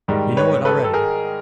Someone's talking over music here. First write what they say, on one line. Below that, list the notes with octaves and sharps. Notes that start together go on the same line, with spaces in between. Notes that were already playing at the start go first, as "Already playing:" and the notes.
You know it already.
G#2 D#3 G3
B4 C#5
A4 B4
A4
G#4 A#4